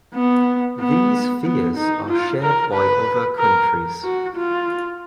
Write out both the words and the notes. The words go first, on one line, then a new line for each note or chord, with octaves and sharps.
These fears are shared by other countries.
B3
B3
B3
D#4
F4
A#4
B4
A#4
F#4
F4